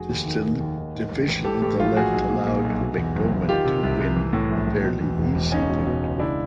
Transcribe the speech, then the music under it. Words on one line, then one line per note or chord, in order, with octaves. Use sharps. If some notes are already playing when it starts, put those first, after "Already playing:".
This division in the left allowed McDorman to win a fairly easy victory.
Already playing: F1 F#4 G#4
D#2
D#3
D#3
D#2
D#3
G#2
A1
A1
E3 G4 A4
A2 G4 A4
A#1 F4 G4
A#1 F#4 G#4
B1
A#2
A#2
B1
B2
E2
F#1
F#1
D#3 F4 G4
C3
C2
C2
E3
A2
A#1
A#1
B2
E2
E1
E1
C#2 C#4 D#4
B2
B2
C#2
C#3 D4 E4